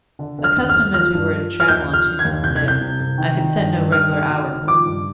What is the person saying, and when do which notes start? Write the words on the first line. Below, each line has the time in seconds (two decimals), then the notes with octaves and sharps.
Accustomed as we were to travel on two meals a day, I could set no regular hour for them.
0.19 D3
0.38 D3
0.44 F6
0.56 D#2
0.69 F6
0.75 D#2
0.94 F3 F6
1.14 G2
1.31 F3
1.51 F3
1.60 F6
1.68 D#2 G6
1.88 F3
1.94 F6
2.06 D3
2.19 G#6
2.25 D#2
2.43 C2 G6
2.56 G#6
2.63 C2
2.68 G6
2.81 C3
3.00 C2
3.18 D#3
3.37 D#3
3.56 G2
3.74 G2
3.92 D#3 F6
4.11 D#3
4.30 D2
4.49 D#3
4.68 F3 D6
4.86 G2